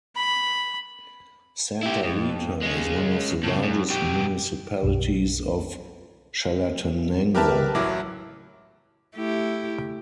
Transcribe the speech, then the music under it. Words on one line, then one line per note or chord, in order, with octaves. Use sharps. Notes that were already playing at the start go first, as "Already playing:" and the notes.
Santa Rita is one of the largest municipalities of Chalatenango.
B5
E4 G4
F2
G#3 C#4
A2 C#3
F#2
B2 G4
B1 F#2 F#3
G4 A#4 B4 E5 A5 F6
A1 F#3 E4 D6
A3 E4 G4